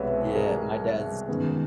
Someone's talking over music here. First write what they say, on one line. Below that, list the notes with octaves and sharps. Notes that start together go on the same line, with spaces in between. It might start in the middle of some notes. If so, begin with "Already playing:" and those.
Yeah, my dad's
Already playing: C2 B2 G#3 C4 B4 C#5 E5
G#4 A#4
F#2 D#3 G#3 B3